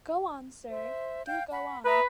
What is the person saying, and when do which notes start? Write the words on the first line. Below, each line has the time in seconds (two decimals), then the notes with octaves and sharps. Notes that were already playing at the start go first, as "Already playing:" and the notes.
Go on, Sir; do go on.
0.70 C5 E5
1.26 F5 G5 G6
1.51 F#5 B5
1.85 B4 E5 A#5 D#6